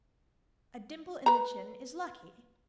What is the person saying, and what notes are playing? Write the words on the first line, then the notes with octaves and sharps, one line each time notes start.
A dimple in the chin is lucky.
B4 A#5